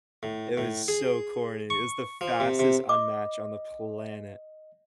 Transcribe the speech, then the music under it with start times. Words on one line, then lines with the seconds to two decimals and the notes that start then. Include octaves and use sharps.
It was so corny. It was the fastest unmatch on the planet.
0.23 A2
0.57 A2
0.88 G#4
1.70 C#6
2.21 F3
2.40 C3
2.59 C3
2.89 D#5 D6